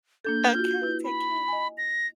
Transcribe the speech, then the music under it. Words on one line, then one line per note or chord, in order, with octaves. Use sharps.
Okay, take care.
A#3 D4 A4 G6
F4 F#4
E4 B4
B5
D#5 G#5
A#6